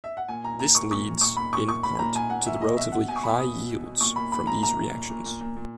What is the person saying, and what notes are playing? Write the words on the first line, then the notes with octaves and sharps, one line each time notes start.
This leads, in part, to relatively high yields from these reactions.
E5
F#5
A#2 G#5
A#2 A#5
A#2 A#5
A#2 C#6
A#2 C#6
A#2
A#2 C#6
A#2 B5
A#2 C#6
A#2 C#6
A#2 B5
A#2 A#5
A#2 G#5
A#2 F#5
A#2 E5
A#2 D#5
B2 E5
B2 F#5
B2 G#5
C#6
B2 B5
B2 D#6
B2
B2
B2
A#2 C#6
A#2 B5
A#2 B5
A#2 A#5
A#2 A#5
A#2
A#2
A#2
A#2
A#2
A#2